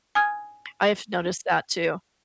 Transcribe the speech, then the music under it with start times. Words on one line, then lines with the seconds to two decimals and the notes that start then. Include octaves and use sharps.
I've noticed that too.
0.15 G#5 D#6 F6 G#6